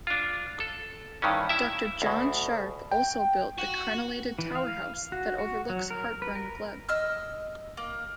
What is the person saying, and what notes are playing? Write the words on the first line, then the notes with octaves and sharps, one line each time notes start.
Doctor John Sharpe also built the crenellated Tower House that overlooks Hartburn Glebe.
D4 F4
A4
G2 D#3 E3 C#4
E4 E5
D2 B2
G5
F#4
E3
F5
F#4
F#4
F#3
A#4
B4
A#4
D#5 E6 F6
A#3